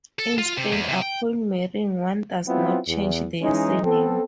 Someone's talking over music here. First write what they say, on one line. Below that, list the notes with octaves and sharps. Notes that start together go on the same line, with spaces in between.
In Spain, upon marrying, one does not change their surname.
A4
F4
C3
E2
C3
G5
F#3 B3 C4 E4 F4
E2
E3 G#3 C#4 D#4
B3 C4 A4